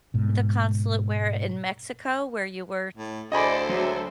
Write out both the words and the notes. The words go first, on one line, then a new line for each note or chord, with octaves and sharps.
The consulate where in Mexico? Where you were s
G#2 B2
A2
D2 G#4 A4 C5 D5 D#5 G#5 B5
F#3 G#3 E5